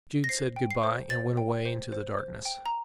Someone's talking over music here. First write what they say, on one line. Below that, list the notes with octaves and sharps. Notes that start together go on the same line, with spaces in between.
Jude said good-bye, and went away into the darkness.
A#6
C5 C7
G5
C7
C5
C5 A6
G5
C5
C5
C5
G5
A#5